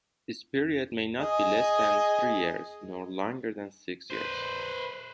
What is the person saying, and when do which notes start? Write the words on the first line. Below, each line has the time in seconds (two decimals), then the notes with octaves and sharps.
This period may not be less than three years nor longer than six years.
1.18 G#4 D#5
4.10 B4 C5